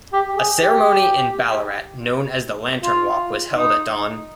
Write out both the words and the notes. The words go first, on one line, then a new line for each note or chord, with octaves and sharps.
A ceremony in Ballarat known as the lantern walk was held at dawn.
G4
G#4
G4
F4
D#4